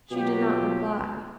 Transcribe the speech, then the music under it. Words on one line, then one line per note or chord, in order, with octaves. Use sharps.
She did not reply.
B2 F#3 F4 G4